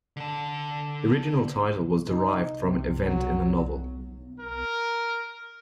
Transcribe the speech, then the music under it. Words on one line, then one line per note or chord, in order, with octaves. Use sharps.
The original title was derived from an event in the novel.
D3 A5
D#4
C3
F#3
A#4